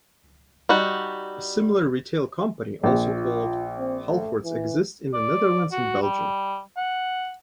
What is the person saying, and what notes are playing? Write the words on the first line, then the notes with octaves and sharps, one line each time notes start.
A similar retail company also called Halfords exists in the Netherlands and Belgium.
G3 D#4 F#4
A#1 G#4
F4
C4
A3
E3
D5
F#4
G3
F#5